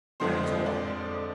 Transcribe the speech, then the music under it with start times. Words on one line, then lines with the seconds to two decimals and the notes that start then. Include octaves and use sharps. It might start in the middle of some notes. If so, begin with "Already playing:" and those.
Dan's already now.
0.20 F2 D3 F3 G#3 C5
0.43 D#5
0.66 D5